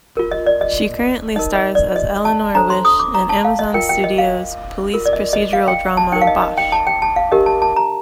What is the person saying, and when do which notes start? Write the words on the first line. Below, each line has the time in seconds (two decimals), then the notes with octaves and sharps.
She currently stars as Eleanor Wish in Amazon Studios' police procedural drama "Bosch".
0.17 F4 A#4
0.31 D#5
0.46 D5
0.61 D#5
1.36 D#4 A#4 D#5
1.55 D#5
1.75 D5
1.96 D#5
2.25 A5
2.55 D4 A4 C5 A#5
2.70 C6
2.85 D#6
3.00 D6
3.15 A#5
3.29 A5
3.45 F5
3.59 D#5
3.74 F4 A#4 G5
3.89 G5
4.04 D#5
4.18 F5
4.94 F4 A#4
5.06 D5
5.13 D#5
5.33 D#5
5.53 F5
5.68 G5
5.97 A5
6.12 D#4 A#4 G5
6.21 F5
6.27 D#5
6.42 D#5
6.58 G5
6.72 A5
6.87 G5
7.02 A5
7.16 F5
7.32 D4 G4 A#4 D#5
7.46 A5
7.62 A5
7.76 A#5